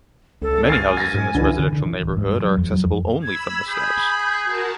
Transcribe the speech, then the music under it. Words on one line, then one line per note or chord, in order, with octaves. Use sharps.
Many houses in this residential neighborhood are accessible only from the steps.
C#2 A4
G#5 F6 A6 C7
A6 A#6
G#2
C#2 D3 E3
D3
D3
E3
D1
G#2
G2
F#3
F2
F#3
F2
B5 E6 G#6
G#4 B5 G6
F#4 A#4 A5